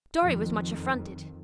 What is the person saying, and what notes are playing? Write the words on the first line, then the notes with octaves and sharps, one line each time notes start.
Dorry was much affronted.
F2 D#3